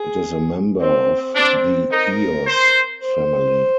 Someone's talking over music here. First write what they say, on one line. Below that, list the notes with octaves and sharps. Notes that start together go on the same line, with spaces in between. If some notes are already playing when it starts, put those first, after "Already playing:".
It is a member of the Eos family.
Already playing: G#4
C4
C4 D4
D#4 A#4
C5
C5